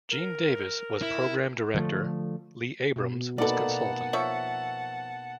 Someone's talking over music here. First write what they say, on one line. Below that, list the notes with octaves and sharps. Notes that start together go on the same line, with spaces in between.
Gene Davis was Program Director, Lee Abrams was consultant.
A#4
E4
D3 F3 G3 A3
B2
A#3 D#4 A4 B4 D5 F#5 A5
F3 C#5 E5